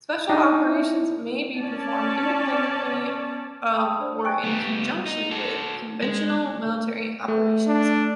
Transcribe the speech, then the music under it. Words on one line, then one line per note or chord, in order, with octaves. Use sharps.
Special operations may be performed independently of or in conjunction with, conventional military operations.
D4 D#4
E4
C#4 D5 A5
G5 A5 B5 D#6 E6
D4 C5 D5
G5 G#5 C#6 F#6 D7
G3 B3
D#4
F#4 A4
G#3
A3
D4